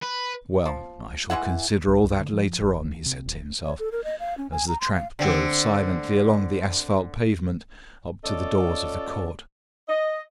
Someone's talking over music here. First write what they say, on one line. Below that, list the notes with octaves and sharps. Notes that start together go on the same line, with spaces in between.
"Well, I shall consider all that later on," he said to himself, as the trap drove silently along the asphalt pavement up to the doors of the Court.
B4
F3
E3 G#3 E4 F#5
A#1
C2
D3
F3
F1
E2
C3
D#1
C#5
A4
A#4
D#5
F5
C#4
G#5
A#5
C6
F5
D3 C4
C#4 F4 A4 D5 D#5
D#5